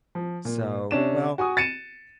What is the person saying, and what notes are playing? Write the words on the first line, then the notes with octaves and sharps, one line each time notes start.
so, well,
F3
A#2
C3 C#4 D4 E7
F#4 G#5 C#6 D#6
A6 C#7 D#7 E7